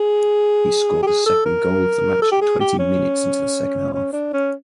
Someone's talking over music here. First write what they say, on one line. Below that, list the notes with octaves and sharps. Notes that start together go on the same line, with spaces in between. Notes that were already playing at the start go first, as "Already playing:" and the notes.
He scored the second goal of the match twenty minutes into the second half.
Already playing: G#4
G4
G#4
A4
A#4
A4
G4
G#4
G4
C#4
C#4
D4
C#4